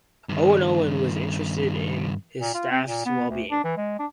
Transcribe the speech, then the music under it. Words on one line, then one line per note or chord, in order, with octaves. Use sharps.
Owen Owen was interested in his staff's well-being.
G2 D#3
A#2
F4
C4
A#2
B3
D2
D4
E3
G#3
D4